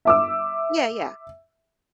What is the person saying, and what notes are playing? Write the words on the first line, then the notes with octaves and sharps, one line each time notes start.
Yeah, yeah.
E5 D6 E6